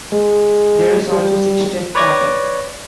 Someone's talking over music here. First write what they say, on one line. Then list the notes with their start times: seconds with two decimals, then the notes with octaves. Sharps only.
There is also six-stress pattern.
0.12 G#3
1.12 G3
1.95 B4 C#5 D5 D6 G#6 A#6